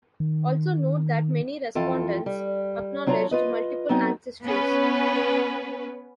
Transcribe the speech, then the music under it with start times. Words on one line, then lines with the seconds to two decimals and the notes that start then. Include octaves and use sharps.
Also note that many respondents acknowledged multiple ancestries.
0.20 D#3
1.75 F2 E3 F4 A4 G5
2.26 G3
3.06 F#3 D4 F4 C#5 A#5
3.31 F4 B4 D#5
3.89 F#3 B3 C4 D#4
4.44 B3 C#4 B4